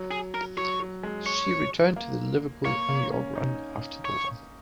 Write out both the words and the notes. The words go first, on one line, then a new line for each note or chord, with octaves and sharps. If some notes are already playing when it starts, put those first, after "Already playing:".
She returned to the Liverpool - New York run after the war.
Already playing: F#3
G#4
A#4
F#3 C#5
F#3
G#3
C#5
A#3
A#3 C#5
A#3
C#4
D#4
C#5